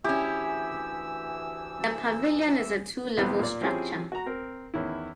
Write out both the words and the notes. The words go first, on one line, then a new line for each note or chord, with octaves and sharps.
The pavilion is a two-level structure.
D2 E3 C#4 E4 G4 G#4 E6
B1 E2 B3 C4 E4 G4
A#2 D5
F3 C4 C#4 E4 G4 G#4
F#4 A#5
C4 A#4
E2 D#3 C#4 E4